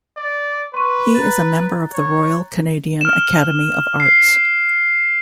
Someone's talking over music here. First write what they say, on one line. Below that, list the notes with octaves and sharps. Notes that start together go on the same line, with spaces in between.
He is a member of the Royal Canadian Academy of Arts.
D5
B4 C6 C#6 D#7
A#5 F#6 A6
C#5
F6 E7
C7